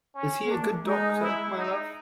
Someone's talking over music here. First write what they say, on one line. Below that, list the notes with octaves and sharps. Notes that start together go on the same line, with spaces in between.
Is he a good doctor, my love?
C#4
B3
A#3 D4
A3
G#3 D#4
E4
D#4